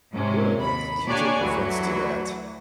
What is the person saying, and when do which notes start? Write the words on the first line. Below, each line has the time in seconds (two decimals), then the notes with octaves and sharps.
Well, h he took offense to that
0.12 G#2 C3 C#4
0.58 D#2 B5
1.07 A#3 D4 G4 C#5 D5 G#5
1.41 D2 E3 F#3 F#4